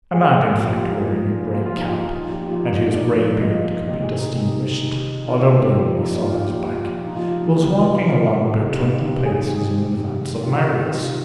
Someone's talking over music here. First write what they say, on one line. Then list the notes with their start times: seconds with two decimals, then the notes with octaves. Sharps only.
A man, in fact, wearing a gray cap, and whose gray beard could be distinguished, although they only saw his back, was walking along about twenty paces in advance of Marius.
0.13 A#2 F3 G#4
0.60 A#2 F3 G4
0.76 F4
0.92 D#4
1.07 A#2 F3
1.53 A#2 F4
1.58 F3
1.66 F4
1.77 D#4
1.89 F4
2.00 A#2 F3 D#4
2.16 F4
2.31 G4
2.47 A#2 F3 F4
2.63 D#4
2.78 D#4
2.94 A#2 F3 D5
3.41 A#2 F3 D#5
3.87 C3 D#3 D#5
4.03 G#4
4.18 D#4
4.34 C3 D#3
4.81 C3 D#3
5.27 C3 D#3 F4
5.43 F4
5.59 G4
5.75 A#2 F3 G4
5.98 D#4
6.22 A#2 F3 F4
6.45 G4
6.68 A#2 F3
7.07 D#4
7.15 A#2 F3 F4
7.62 C3 D#3 G4
7.78 F4
7.93 D#4
8.04 D#4
8.09 C3 D#3 F4
8.56 C3 D#3
9.02 C3 D#3 G4
9.25 G#4
9.49 C3 D#3 G4
9.96 C3 D#3
10.43 C3 D#3 F4
10.89 C3 D#3 F4